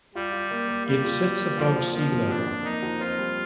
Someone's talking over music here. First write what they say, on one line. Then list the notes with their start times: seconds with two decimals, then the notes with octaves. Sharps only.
It sits above sea level.
0.15 G3 F4
0.33 F4
0.51 A#3
0.68 A#3
0.86 G3 F4
1.04 F4
1.23 F4
1.40 A#3
1.57 F2 F3
1.75 F2
1.93 F3 A#3
2.12 F2
2.29 F2 D4
2.47 F2
2.64 A#3 D#4
2.83 F2
3.00 C4 F4
3.18 G3